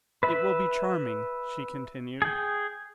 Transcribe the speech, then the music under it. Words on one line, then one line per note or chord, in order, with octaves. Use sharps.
"It will be charming," she continued.
B4 E5 B5
G#4 G5